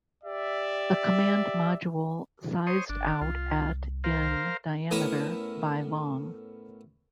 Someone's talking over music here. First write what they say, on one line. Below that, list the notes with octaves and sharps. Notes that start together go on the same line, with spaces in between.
The Command Module sized out at in diameter, by long.
G4 D5 E5
C5 C#5 D#6
G1 D4
C2 F4
A#4 C5 F5
A2 B3 C#4 E4 A#4 A#5